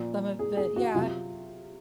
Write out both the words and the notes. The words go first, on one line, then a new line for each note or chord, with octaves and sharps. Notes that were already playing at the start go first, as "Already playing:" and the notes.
Some of it yeah,
Already playing: A#2 F3
G#4
G#4
F#4
C3 F#3 F4